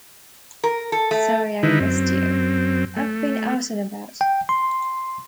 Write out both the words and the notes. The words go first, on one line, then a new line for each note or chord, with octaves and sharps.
Sorry I missed you – I've been out and about.
A#4
A4
A3
D3 D#3 D#4 E4 B4
F#2 C4
A3
G5
C6